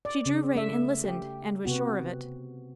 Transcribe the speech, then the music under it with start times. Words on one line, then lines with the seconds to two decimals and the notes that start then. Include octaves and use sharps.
She drew rein and listened, and was sure of it.
0.05 D5
0.26 C#3
0.55 A3 E5
1.04 G4
1.65 C3 B3 F#4